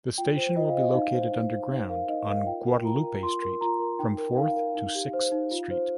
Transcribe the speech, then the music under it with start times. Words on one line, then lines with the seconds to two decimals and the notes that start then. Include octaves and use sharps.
The station will be located underground on Guadalupe St from Fourth to Sixth Street.
0.18 F4 G5
0.37 C5
0.56 F4 D#5
0.68 F5
0.75 C5 D#5
0.94 D#4 F5
1.13 C5
1.32 D#4
1.51 C5
1.71 D#4
1.89 A#4 F5
2.08 D#4 D#5
2.27 A#4 F5
2.46 F4 G5
2.66 A#4
2.84 F4 A#5
3.04 A#4
3.23 F4 C6
3.42 A#4
3.61 F4 A#5
3.79 A#4
3.99 D#4 G5
4.18 A#4
4.37 D#4 F5
4.56 A#4
4.75 D#4
4.95 G4
5.13 C5
5.32 D#4
5.51 F4
5.71 C5